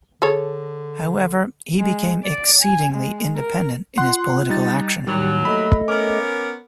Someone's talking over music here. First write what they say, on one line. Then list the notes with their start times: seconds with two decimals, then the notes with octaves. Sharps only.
However, he became exceedingly independent in his political action.
0.22 D3 G#4 A4 C#5
1.79 G#3
2.24 D5
2.62 G#5
2.93 G#3
3.36 A#4
3.98 F4 F#5 C6 F#6
4.49 G3 D#4 A6
5.07 D#2 A2 D#3 F#3 G3
5.45 A3 A4 D#5 B5
5.88 B3 C#4 A#4 D6